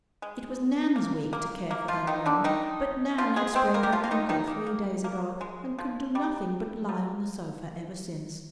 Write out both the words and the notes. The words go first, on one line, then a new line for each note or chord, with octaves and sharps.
It was Nan's week to care for their room, but Nan had sprained her ankle three days ago and could do nothing but lie on the sofa ever since.
G#3
A#3
A#3
A#3
F3 F4
D#3 D#4
D3 D4
D#3 D#4
F3 F4
G#3 G#4
C4 C5
A#3 A#4
G4
F3 F4
F4
D#3 D#4
D#3 D#4
A#3
A#3
A#3
G#3
F3
G3
F3